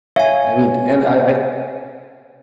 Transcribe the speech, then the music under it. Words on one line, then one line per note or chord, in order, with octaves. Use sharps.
I mean, and I I
C#5 E5 F5 G#5